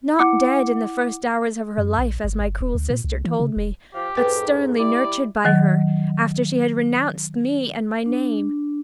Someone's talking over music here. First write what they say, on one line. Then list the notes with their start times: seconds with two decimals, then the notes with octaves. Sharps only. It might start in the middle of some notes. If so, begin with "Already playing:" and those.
Not dead in the first hours of her life, as my cruel sister told me, but sternly nurtured by her, after she had renounced me and my name!
0.19 E4 F#5 D6 C#7
1.78 F#2
1.98 A#1
2.24 G1
2.40 G1
2.61 D#1
2.75 D2
2.90 A#2
3.04 C2
3.25 E3
3.40 C#3
3.57 E1
3.94 F3 G4 F5
4.15 F2 G#2 B4 G5
4.78 G3 E4 D5
5.45 D#3 F#3
8.06 D4